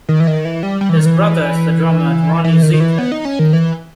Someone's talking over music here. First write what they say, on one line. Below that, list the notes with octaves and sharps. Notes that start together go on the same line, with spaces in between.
His brother is the drummer Ronnie Zito.
D#3
E3
D#3
E3
G3
G3
E3
D#3
E3
E3
D#3
D#3
E3
B3
D#4
C#4
D#3
E3